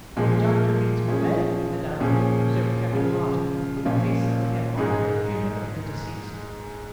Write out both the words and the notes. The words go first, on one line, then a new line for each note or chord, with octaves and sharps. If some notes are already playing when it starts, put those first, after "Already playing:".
"The doctor means medically, madam," observed Captain Lawton, with a face that would have honored the funeral of the deceased.
A#2 F3 G#3
F3 C#4 F4 G#4
A#2 F3 C#4 G#4
C#3 F3 G#3
A#2 F3 C#4 F4
G#2 G#3 D#4 G#4